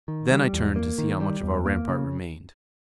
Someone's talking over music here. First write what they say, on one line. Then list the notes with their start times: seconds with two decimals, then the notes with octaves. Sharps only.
Then I turned to see how much of our rampart remained.
0.08 D#3
0.31 G3
0.53 E2
0.76 A#3
0.98 D#3
1.21 G3
1.43 E2
1.66 A#3
1.88 C#3